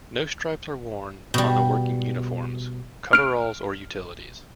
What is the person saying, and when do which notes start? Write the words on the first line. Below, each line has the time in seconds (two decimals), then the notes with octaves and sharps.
No stripes are worn on the working uniforms - coveralls or utilities.
1.34 B2 G3
3.13 F6 D7